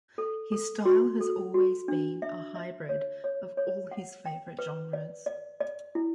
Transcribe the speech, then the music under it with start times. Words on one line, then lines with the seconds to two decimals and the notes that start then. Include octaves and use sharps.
His style has always been a hybrid of all his favorite genres.
0.18 A4
0.52 A4
0.85 F#4
1.20 A4
1.54 F#4
1.88 D4
2.22 E5
2.56 E5
2.89 C#5
3.24 C#5
3.57 C#5
3.91 F#5
4.26 G5
4.59 B4
4.93 D5
5.26 D5
5.61 D5
5.95 E4